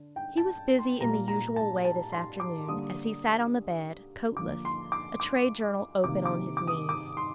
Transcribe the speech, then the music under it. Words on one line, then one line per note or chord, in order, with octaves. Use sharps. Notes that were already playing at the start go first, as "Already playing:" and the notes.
He was busy in the usual way this afternoon, as he sat on the bed, coatless, a trade journal open on his knees.
Already playing: D3
G5
A5
C6
A#2 G3 A#3 A#5
A#5
A5
A5
C6
D6
D3 G3 A#3 D#6
D3 F3 A#3 D6
C6
D6
D6
C3 D#3 A#3 D6
D6
D6
D#6
D6
C6